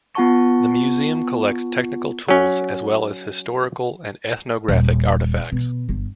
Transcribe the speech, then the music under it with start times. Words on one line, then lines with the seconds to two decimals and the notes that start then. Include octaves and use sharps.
The museum collects technical tools, as well as historical and ethnographic artifacts.
0.15 B3 F4 F#5 A5 C#6
2.29 F#3 C#4
4.68 D#1
5.52 B2
5.89 G1